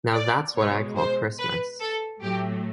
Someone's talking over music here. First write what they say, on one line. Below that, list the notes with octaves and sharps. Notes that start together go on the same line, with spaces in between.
Now That's What I Call Christmas!
D5
B2 G#3 C#5
C5
B4
A4
A2 F#3 A3 G4